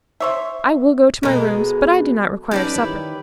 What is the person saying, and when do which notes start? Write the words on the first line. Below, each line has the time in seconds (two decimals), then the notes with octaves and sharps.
I will go to my rooms, but I do not require supper.
0.20 C5 C#5 E5
1.23 B2 G#3 A4 A#4
2.51 C#4 D#4 G4 B4 D5 A5
2.75 D#3 E4 C#5